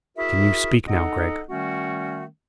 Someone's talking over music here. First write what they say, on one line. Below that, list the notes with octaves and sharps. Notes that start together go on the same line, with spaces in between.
"Can you speak now, Gregg?"
E4 F#4 G#4 A#4 E5
D#4 A4 D#5 F#5
D#3 G3 A3 C#4 F#4